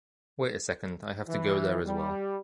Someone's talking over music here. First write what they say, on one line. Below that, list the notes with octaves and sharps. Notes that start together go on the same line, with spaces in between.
Wait a second, I have to go there as well.
E3
G3